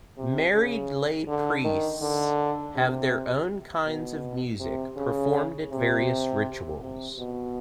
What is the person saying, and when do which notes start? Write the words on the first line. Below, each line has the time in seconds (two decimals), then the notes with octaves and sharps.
Married lay priests have their own kinds of music, performed at various rituals.
0.17 C3
0.53 C#3
1.28 D3
1.64 D#3
2.01 D3
2.75 C3
3.86 B2
4.59 C3
4.96 C#3
5.70 C3
6.81 C3
7.18 B2